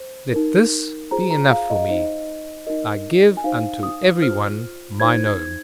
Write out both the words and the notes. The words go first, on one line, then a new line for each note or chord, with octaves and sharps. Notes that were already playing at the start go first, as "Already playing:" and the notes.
Let this be enough for me: I give unto every one mine own.
Already playing: C5
D#4 A#4
F4 G#4 C5 A#5
A#5
F5
D#5
D#4 C5 D#5
D#4 A#4 D#5
G#5
D#4 C5 F5
D#6
F4 C5 F6
D#4 C5 G#6
G#6